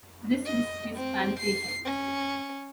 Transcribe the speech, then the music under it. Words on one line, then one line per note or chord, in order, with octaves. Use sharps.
This is his Pantheism.
D#5
C4
C7
C#4